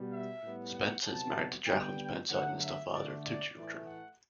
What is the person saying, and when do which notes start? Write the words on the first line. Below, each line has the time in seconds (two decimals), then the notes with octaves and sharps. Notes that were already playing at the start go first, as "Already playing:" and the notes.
Spencer is married to Jacklyn Spencer and is the father of two children.
Already playing: B2 G3 B3
0.11 E5
0.42 A2 G3 B3
0.74 F#5
1.04 C3 F#3 B3 A5
1.67 D3 G3 B3 G5
2.29 D3 F#3 A3 F#5
2.61 E5
2.92 D3 A3 D5
3.24 D5
3.54 A2 E3 A3 D5
3.85 F#5